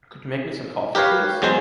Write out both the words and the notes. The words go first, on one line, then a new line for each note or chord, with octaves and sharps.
Could you make me some coffee, please?
G4 A#4 B4 C#5 F5
E2 F#3 G#3 C5